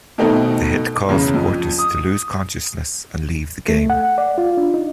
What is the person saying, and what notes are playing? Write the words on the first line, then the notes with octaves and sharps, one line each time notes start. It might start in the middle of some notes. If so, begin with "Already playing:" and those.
The hit caused Portis to lose consciousness and leave the game.
B2 D#3 A3 C4 D#4
E2 C#3
F2
D#6
A3
F#5
D5
F4
D4
D#4